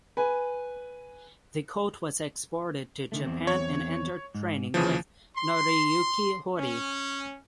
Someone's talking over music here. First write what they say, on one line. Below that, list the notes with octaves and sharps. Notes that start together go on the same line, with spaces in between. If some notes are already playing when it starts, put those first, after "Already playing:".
The colt was exported to Japan and entered training with Noriyuki Hori.
B4 G#5
D3 D#3 A3
E2 C4
C#5
G#2
D#2 C#3 E3 F3 A5
C6
C#4